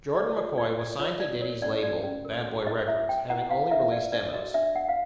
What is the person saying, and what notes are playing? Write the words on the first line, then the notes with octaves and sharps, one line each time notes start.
Jordan McCoy was signed to Diddy's label, Bad Boy Records, having only released demos.
A#4 D5
F4 C#5
F4 D5
A#4 D5
F4 C#5
C#5 D5
A#4 C#5
C#4 D5
F#4 D5
C#4
A#4
F#4
C5 D#5
E4 E5
C5 G5
E4 F#5
E4 F5
E4 E5
B4 D5
D4 D5
F#4 D#5
D4 E5
D4 F#5
F5